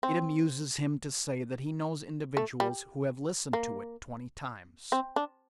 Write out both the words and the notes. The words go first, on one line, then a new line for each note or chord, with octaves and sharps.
It amuses him to say that he knows individuals who have listened to it twenty times.
C4
A3
G3
A#3
C4
D4